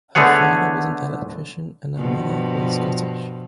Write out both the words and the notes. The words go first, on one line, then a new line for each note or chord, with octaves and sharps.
Her father was an electrician and her mother was Scottish.
D3 A3 B3 G#4 C#5 F#5
G2 B2 F3